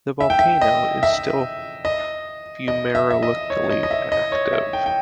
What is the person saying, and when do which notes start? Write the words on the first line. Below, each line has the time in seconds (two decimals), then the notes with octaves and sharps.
The volcano is still fumarolically active.
0.21 E5
0.30 G5
0.39 E5
0.61 D#5
1.03 E5
1.85 D#5
2.68 D#5
2.95 E5
3.11 E5
3.23 D#5
3.50 C#5
3.70 D#5
3.83 D#5
3.91 E5
4.12 D#5
4.32 C#5
4.53 E5
4.73 G5
4.86 G5